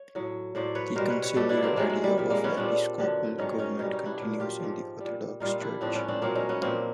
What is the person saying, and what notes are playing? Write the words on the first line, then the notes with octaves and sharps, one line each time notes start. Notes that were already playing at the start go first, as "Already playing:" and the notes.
The conciliar idea of episcopal government continues in the Orthodox Church.
Already playing: C#5
A2 F#3
A2 F#3 C5 D5
B4 C#5
B2 G3 A#4 C5
B4 C#5
B4 C#5
B2 G3 G4 A4
D4 E4
A#3 C4
C3 D#3 F#3 G#3 A#3
G#3
G3
A#2 G3
G#3 A#3
B3 C#4
A#2 G3 C4 D4
G2 D3 F#3
G#2 D#3 F#3 C#4 D#4
C#4 D#4
B2 G3 C#4 D#4
C#4 D#4
D4 E4
A#2 F#3
F4 G4
G#2 F3
A#2 G3
A#2 G3 D#4 F4
D4 E4
A2 F3 C4 D4
B3 C#4
C4 D4
A#2 F#3 A#3 C4
C#4 D#4
B3 C#4
A#2 F3 A#3 C4